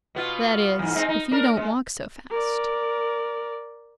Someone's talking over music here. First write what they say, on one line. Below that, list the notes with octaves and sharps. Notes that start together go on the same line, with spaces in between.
That is, if you don't walk so fast.
B2 B3 F4
E2 G#2
G#3 C4 D#4
D#4
D4 A#4
G#3
A#4 D5